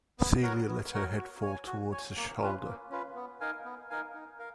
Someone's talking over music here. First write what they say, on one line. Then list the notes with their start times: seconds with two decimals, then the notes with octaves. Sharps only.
Celia let her head fall towards her shoulder.
0.19 B3
0.43 F#4 A#4 C#5 F#5
0.68 B3
0.93 F#4 A#4 C#5 F#5
1.18 F#4
1.42 C#5 G#5
1.67 F#4
1.91 C#5 G#5
2.16 A#3
2.41 C#4 F4 B4
2.66 A#3
2.90 C#4 F4 B4
3.16 B3
3.41 D#4 A#4 F5 G#5
3.65 B3
3.90 D#4 A#4 F5 G#5
4.14 D#4
4.39 A#4 F5